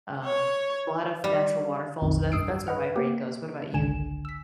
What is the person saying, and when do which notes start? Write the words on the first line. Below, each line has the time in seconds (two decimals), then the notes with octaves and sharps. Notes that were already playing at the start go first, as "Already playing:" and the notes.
um, lot of natural waterfalls, so that's that's where my brain goes. What about you?
0.24 C#5
1.24 G3
2.01 B1 F2 D#3
2.32 G2 D#6 E6 C7 D7
2.67 B4 D#5 F#5 F6
2.96 A#3 G4
3.73 G#1 C#2 D3 G#5 E7
4.25 E6 B6